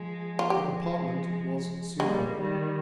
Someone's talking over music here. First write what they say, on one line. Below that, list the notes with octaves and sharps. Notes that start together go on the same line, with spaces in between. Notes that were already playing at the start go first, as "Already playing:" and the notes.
The apartment was superb.
Already playing: F3 G#3
F4
F3 G#3 G4
G3 G#3 A#3
D#3 G3